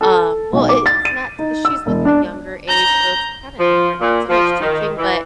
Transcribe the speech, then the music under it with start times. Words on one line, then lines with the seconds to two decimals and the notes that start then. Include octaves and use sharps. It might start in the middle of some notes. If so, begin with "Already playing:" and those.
Um well, i it's not 'cause she's with the younger age, so it's kinda different, not so much teaching, but
0.01 A4
0.53 B1
0.69 D6
0.86 A6
1.05 D#7
1.39 D#4
1.65 E6
1.86 E1
2.05 D4
2.68 A#5 G6
3.59 F3
4.00 A#2
4.29 F3
4.60 D#3
4.98 E3